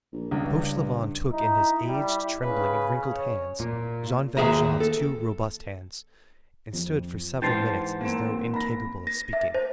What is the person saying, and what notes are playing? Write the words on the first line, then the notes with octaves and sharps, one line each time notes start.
Fauchelevent took in his aged, trembling, and wrinkled hands Jean Valjean's two robust hands, and stood for several minutes as though incapable of speaking.
A#1
C#2 G2
D#4 E4
G3
C#3 B4
C#5
A#2
D#2 E3 G#4 E5 A#5
A4
F2
G#2 E3 G5 A5 C6
A#3 C4
B5 A#6
A#6
E5
C5